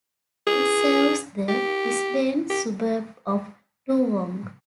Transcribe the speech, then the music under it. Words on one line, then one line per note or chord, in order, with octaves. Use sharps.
It serves the Brisbane suburb of Toowong.
G#4
G4
G4